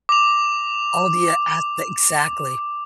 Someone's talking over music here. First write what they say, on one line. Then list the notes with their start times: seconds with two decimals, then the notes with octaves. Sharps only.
Oh, do you ask the exactly.
0.09 D6 F7